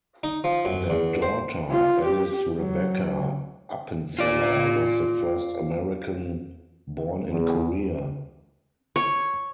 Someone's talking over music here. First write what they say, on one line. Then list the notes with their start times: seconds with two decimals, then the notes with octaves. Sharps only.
Their daughter Alice Rebecca Appenzeller was the first American born in Korea.
0.24 D#4
0.44 F3
0.65 F#2
0.90 E2
1.22 C5
1.71 F4
2.04 G4
2.58 F#3
4.19 F4 D5
7.29 E2
8.96 C#5